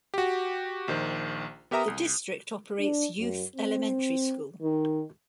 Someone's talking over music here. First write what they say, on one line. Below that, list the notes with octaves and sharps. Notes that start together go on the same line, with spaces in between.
The district operates Youth Elementary School.
F#4 G4
A#1 D#3 C5
B3 G4 A#4 E5 A#5 D#6
C2
D4
F#2
C4
D#3